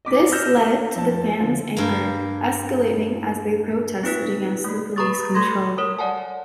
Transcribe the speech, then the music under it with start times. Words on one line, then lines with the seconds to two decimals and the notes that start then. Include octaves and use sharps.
This led to the fans' anger escalating as they protested against the police control.
0.05 D#5 D6 B6
0.32 E6 F6 G6 A#6 B6 E7
0.96 F2 A5
1.40 D3 F3
1.77 G2 A#3
4.03 C4 D#4 F4 B4 F#6 B6
4.64 A3 A#3
4.96 B4 A#5 B5 C#6 D#6 A6
5.34 A3 A4 B5 C6 G#6 A#6
5.78 A#4 C#5 D#6
5.99 D5 F#5 G#5 A5